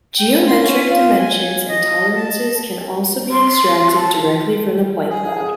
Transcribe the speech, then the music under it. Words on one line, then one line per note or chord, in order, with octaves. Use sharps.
Geometric dimensions and tolerances can also be extracted directly from the point cloud.
G5
G#5
C6
C#4
F4
G#5
D#5
A5
C6
A5
G#4